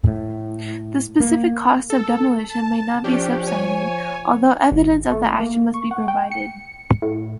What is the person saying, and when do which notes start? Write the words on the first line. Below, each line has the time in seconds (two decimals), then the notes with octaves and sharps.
The specific costs of demolition may not be subsidized, although evidence of the action must be provided.
0.07 A2
1.20 A#3
1.90 A4
2.50 A5
3.04 F3 C#4 D4 G4
3.47 C#5 G#5
4.72 G#1
5.11 A3
5.40 A#3
5.74 C#6
5.91 F#5
6.08 G5
6.31 C#7
7.02 A2